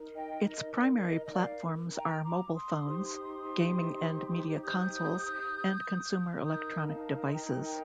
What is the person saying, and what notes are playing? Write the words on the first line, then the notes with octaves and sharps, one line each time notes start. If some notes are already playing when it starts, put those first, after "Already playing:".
Its primary platforms are mobile phones, gaming and media consoles and consumer electronic devices.
Already playing: D#4 A#4
D#5 G5
D#5
D#5
D5
D5
D#5
D#5
D5 F5
G5 A#5
A#5 D6
C6 D#6
D#4 G4 C5
D#6 G6
D#4 A#4 D#6 G6
A#5
F5 A5
C6
G5 A#5
G5 A#5